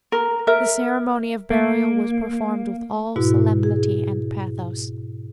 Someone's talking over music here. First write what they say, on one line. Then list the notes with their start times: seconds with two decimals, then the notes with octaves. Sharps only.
The ceremony of burial was performed with all solemnity and pathos.
0.12 A#4
0.47 A#4 E5
1.50 A#3
3.16 G#2 B2 E4 F#4
3.63 G#4